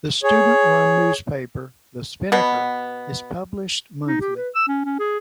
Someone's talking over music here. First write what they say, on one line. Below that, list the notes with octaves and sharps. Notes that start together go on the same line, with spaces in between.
The student-run newspaper "The Spinnaker" is published monthly.
G#4 C#5
B2 B3
D#4
G4
B4
E6
C#4
C#4
G#4